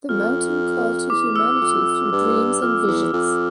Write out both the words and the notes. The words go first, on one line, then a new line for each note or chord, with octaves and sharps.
The mountain called to humanity through dreams and visions.
F2 F6
E2 D6
E6
F2
G2
F2 F6
E2
F2